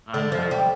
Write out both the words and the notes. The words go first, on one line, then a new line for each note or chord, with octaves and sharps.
I know.
D3
F3
G3